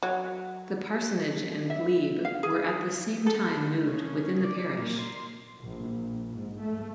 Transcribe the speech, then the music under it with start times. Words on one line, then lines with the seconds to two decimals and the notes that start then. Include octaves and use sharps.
The parsonage and glebe were at the same time moved within the parish.
0.03 F#3
1.70 E5
2.25 F5
2.43 G#4
3.27 A4
3.87 C#3
4.44 D5
4.77 A#2
4.99 C6
5.60 A#1
6.30 G#2
6.59 A3